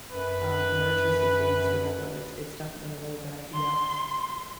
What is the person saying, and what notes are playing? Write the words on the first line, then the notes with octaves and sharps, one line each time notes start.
um, emergency things or whatever, it it's definitely a really good idea.
F#2 B4
C6